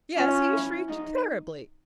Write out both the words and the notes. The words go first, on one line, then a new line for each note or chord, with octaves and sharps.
Yes, he shrieked terribly!
C#4 F4
E4
D#4